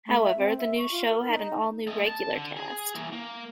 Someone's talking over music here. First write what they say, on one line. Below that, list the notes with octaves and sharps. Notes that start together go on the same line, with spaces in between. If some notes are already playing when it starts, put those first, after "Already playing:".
However, the new show had an all-new regular cast.
A3
E5
C4
E5
C#6
F4
A#4
D#4
A3 D#5
A5
D3
G#4
E3 A#3
A#3